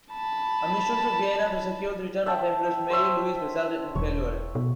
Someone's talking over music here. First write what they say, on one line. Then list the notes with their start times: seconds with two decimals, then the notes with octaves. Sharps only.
A mission to Vienna to secure the return of Empress Marie-Louise resulted in failure.
0.13 A5 B5
2.26 E5 G5 A5
2.90 C5 C#5 E5
3.95 E1 C#5
4.55 B2